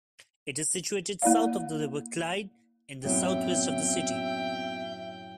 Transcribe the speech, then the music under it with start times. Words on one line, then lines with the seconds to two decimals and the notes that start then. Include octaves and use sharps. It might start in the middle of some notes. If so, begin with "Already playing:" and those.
It is situated south of the River Clyde, in the south-west of the city.
1.22 A#3 E4 D5 F5
3.04 F#2 A2 F#3 B3 C4 D#4 E5 G5